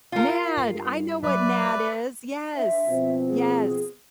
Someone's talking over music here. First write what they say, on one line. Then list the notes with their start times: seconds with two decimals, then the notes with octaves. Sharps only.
NAD, I know what NAD is. Yes. Yes.
0.12 F4 A#4
0.57 G2
1.23 F#3 B4 D5 E5
2.56 D4 C5 E5
2.87 B2 F3 C4
3.28 G#4